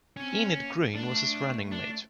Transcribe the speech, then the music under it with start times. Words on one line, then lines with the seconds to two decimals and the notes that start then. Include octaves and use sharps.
Enid Greene was his running mate.
0.17 C4 C#4
0.56 A#3
0.95 A3 D4
1.71 D4